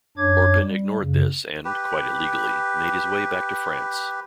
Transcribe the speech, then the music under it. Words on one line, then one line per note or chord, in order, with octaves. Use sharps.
Orpen ignored this and, quite illegally, made his way back to France.
F#2 D4 C#5 D6 G#6
G3
F#2 C#3
G4 B4